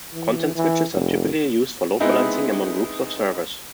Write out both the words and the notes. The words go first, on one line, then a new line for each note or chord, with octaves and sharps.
Content switches are typically used for load balancing among groups of servers.
E3
E3
F1
G#3 B3 C4 D#4 E4 G#4